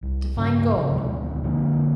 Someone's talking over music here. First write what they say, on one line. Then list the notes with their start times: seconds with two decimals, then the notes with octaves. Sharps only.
To find gold.
0.03 C2
0.37 G2 C#3 A#3
0.75 G1 C#3 F3
0.94 D2 B2 E3 G#3
1.44 D3 F3 A#3